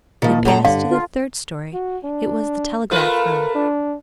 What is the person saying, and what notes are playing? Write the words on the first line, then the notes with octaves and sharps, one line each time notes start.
They passed to the third story; it was the telegraph room.
A#2 D#3 F3
F#2 A4 A#5
G2 D3 F5
F4
F#4
D4
A3 F4 A#4 B4
D4